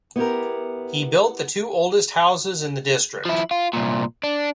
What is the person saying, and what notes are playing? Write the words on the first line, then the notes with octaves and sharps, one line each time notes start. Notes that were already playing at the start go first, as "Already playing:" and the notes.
He built the two oldest houses in the district.
B3 E4 G4 A#4
F3 E4
F4
C2 A#2
D4